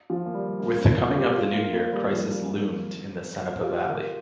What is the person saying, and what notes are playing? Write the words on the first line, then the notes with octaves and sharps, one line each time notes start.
With the coming of the new year, crisis loomed in the Cenepa valley.
F3
A#3
G3
A#3
C4
F4
G4
F4
A#3
A#3
G3
G3
F3
G3
A#3
C4
G4
F4
A#4